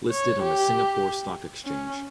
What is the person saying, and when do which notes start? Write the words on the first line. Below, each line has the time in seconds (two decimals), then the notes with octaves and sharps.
Listed on the Singapore Stock Exchange.
0.12 C#5
0.43 G4
1.66 C#4